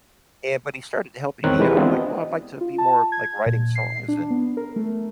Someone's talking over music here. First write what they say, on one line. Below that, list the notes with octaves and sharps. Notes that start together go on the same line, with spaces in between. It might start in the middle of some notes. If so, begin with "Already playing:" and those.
and but he started helping me out. I'm like, "Well, I'd like to be more, like, writing songs and
E2 D#3 C4 A#4 C#5 F#6
E3 G#3 G4 B4
B3 C4 D4 E4 F4
D#5
F4
A5
G#6
A#2
C7
D4
B3
A#4
A3